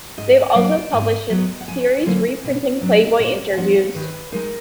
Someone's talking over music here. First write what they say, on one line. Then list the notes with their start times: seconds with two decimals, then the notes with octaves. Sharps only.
They have also published a series reprinting "Playboy" interviews.
0.18 G#2 D#5
0.55 F#3 A#3 D4 D5
0.92 G#2 D#5
1.30 F#3 B3
1.61 F#5
1.68 F2 G#5
2.06 D3 F#3 A#3
2.44 B2
2.81 F#3 D4
3.19 A#2 F#5
3.53 G#5
3.57 F3 B3 D4 F#5
3.94 D#3 B4
4.32 G#3 D#4 A#4